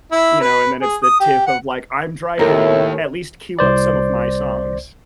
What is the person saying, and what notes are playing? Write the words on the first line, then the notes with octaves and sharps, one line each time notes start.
you know, and then it's the tiff of, like, "I'm driving, at least queue up some of my songs"
E4
B4
G#4
D#6
G4
F#5
D#2 A2 A#4 E5
C2 C5 D5